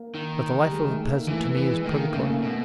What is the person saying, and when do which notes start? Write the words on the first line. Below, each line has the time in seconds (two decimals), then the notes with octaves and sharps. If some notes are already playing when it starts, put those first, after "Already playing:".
But the life of a peasant to me is purgatory.
Already playing: A#3
0.15 D#3
0.63 G3
0.71 G#3
0.84 G#3
0.90 A3
1.09 A#3
1.28 E3 A3
1.43 B3
1.57 E3 B3
1.71 G#3
1.85 D#3 A3
2.00 A#3
2.14 C#3 A3
2.28 A#3
2.42 B2 A3